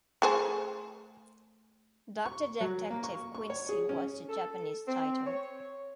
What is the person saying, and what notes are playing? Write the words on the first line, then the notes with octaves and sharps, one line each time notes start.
Doctor Detective Quincy was the Japanese title.
A3 G#4 C5
C#6
F#3
A#3
C#6
C#6
C#5
G#4
C#4
A4
C4
C#5